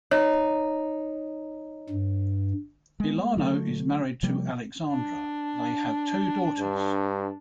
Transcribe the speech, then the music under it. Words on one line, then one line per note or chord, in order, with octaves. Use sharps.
Elano is married to Alexandra, and they have two daughters.
D#4 C#5
G2
G#3 B3
D3 F#3 A3
C3 F3 G3 A#3
D4
G2